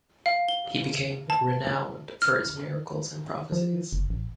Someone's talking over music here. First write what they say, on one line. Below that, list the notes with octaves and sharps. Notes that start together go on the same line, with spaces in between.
He became renowned for his miracles and prophecies.
F5
G7
A5
F6
F3
F#1
A1